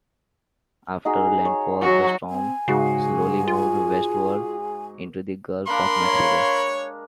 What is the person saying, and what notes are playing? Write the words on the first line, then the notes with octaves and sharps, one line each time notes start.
After landfall, the storm slowly moved westward into the Gulf of Mexico.
D#4 F#4 G#4
C#5
F#3 F#4
C4 G#5
G#2 C#3 F#4 G#4 C7
F4
A#3 D4 A#4 B5 C6
G#3 C#5 F5